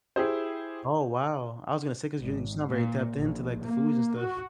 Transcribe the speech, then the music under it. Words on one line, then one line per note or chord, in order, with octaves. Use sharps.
Oh, wow. I was gonna say, 'cause you're you sound very tapped in to, like, the foods and stuff.
E4 G4 G#4 C5
G#1
A#2
A#1
A#3
F#4